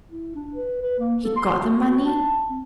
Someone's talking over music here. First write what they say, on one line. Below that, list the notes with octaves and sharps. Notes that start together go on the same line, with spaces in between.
He got the money.
E4
D4
B4
B4
A#3
A4
C6
F#4
F#4
A5
C4